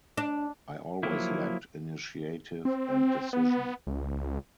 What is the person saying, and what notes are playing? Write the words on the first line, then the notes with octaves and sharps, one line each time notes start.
I always lacked initiative and decision.
D4
F3 F#3 A#3 E4
C4
B3
C#2